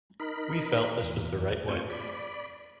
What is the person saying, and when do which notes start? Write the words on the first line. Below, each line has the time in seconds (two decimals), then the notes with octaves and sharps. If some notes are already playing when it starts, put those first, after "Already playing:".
We felt this was the right way.
0.20 D#4 A#4 B5
1.03 E2
1.68 A3 C4 F4 G#5 C#6 G6
1.90 D5 B5